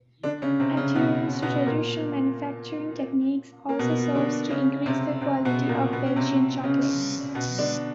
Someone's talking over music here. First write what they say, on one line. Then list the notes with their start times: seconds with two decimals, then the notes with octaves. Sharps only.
Adherence to traditional manufacturing techniques also serves to increase the quality of Belgian chocolate.
0.23 D3 D4
0.42 C#3 C#4
0.60 C3 C4
0.77 C#3 C#4
0.95 B2 B3
1.42 B2 B3
1.66 A#2 A#3
3.69 A#3
3.79 B2 B3
4.15 D3 D4
4.50 C#3 C#4
4.86 C3 C4
5.21 C3 C4
5.45 B2 B3
5.69 A#2 A#3
5.92 B2 B3
6.06 C#4
6.16 C3 C4
6.64 C#3 C#4
7.35 B2 B3
7.58 D3 D4